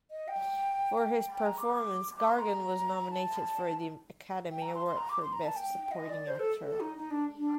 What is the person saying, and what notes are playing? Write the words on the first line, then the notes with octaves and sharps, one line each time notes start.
For his performance Gargan was nominated for the Academy Award for Best Supporting Actor.
D#5
G5
G5
G5
A#5
D6
D6
C6
A#5
A5
G5
A#5
C6
C6
A#5
D6
C6
A#5
A5
G5
D#5
D5
C5
A4
A4
D#4
D#4
D4
D4